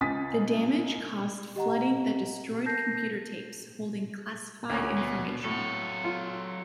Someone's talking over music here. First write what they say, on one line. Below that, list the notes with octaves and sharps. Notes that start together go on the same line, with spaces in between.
The damage caused flooding that destroyed computer tapes holding classified information.
C#2 G#5 D#6 A6 B6
G4 D#5 F#5 A#5
A#4 A5 G6 A#6 C7
D2 C#4
B2
A2 F#3 A4
F4